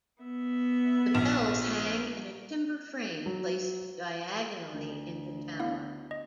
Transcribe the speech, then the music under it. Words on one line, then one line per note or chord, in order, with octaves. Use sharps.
The bells hang in a timber frame placed diagonally in the tower.
B3 E5
A#1 E7
F#3
D2
B3 E4 F5
D#5